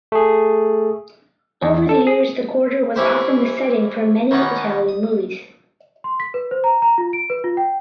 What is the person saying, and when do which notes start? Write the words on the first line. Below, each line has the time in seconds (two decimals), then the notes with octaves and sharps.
Over the years the quarter was often the setting for many Italian movies.
0.12 A3 G#4
1.62 E2
1.89 A4
2.07 G#4
2.96 E3 C4 C#4 E4 G4 C5
4.31 D#3 E3 B3 C#4 B4
4.89 D#6
6.04 C6
6.20 B6
6.34 B4
6.51 C5
6.64 A#5
6.82 A#5
6.98 F4
7.13 D7
7.30 B4
7.44 F4
7.57 G5